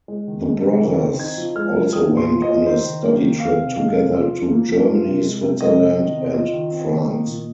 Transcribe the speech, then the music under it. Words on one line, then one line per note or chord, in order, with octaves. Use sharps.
The brothers also went on a study trip together to Germany, Switzerland and France.
G#3
D#3
G#3
C3
D#3
C4
D#4 G#6
F3
G#3 F6
F3
C4 D#6
A#2
C6
F3
D#5
F4
D#4 C5
D#3
A#3
D#3
C4 F5
C3
G#3 F5
C3
F4
F3
A#3
F3
F4
C3
G#3
C3
G#3 D#5
C3
D#3
C3
C5
F4 D#5
D#3
C4
D#3
A#3
A#2